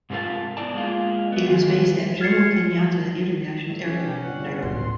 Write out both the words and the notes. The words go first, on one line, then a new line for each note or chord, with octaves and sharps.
It was based at Jomo Kenyatta International Airport, Nairobi.
G#2 C3 A3 F4 A#4 A5
B3 E4 D5 A5
G#3 A#3 F4
B3 E5
D#3 E3 G#3 F4
F6 G#6 A6 C7 C#7
B1 C#4 G4
G1 F#5
D1 C6